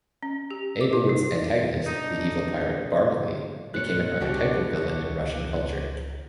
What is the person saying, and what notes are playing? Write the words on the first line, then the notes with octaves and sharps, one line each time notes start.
Aybolit's antagonist, the evil pirate Barmaley, became an archetypal villain in Russian culture.
C#4
G4
D6
E4
D#4
D4 D#4
A#2 C5 C#5 F#6 C#7
C#2 B2 G3 D4 F#4 G4